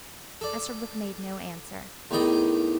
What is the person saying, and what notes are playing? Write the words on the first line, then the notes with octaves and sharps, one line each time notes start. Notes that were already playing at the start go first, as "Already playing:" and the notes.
Esterbrook made no answer.
A4 D5
E2 A2 D#3 D5 D#5 G5